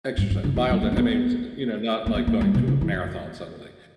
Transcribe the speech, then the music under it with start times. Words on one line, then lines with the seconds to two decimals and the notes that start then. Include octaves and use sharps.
Exercise mild, uh, I mean, s uh, you know, not like going to a marathon suddenly.
0.18 G2
0.30 G2
0.44 D3
0.56 E3
0.70 F#3
0.83 A#3
0.92 C#4
0.97 B3
2.06 A#3
2.15 B3
2.27 A#3
2.41 G3
2.54 B2
2.68 C#3
2.81 E3
2.94 F#2